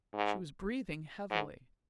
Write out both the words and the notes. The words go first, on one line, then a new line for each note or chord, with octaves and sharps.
She was breathing heavily.
G#2
G#2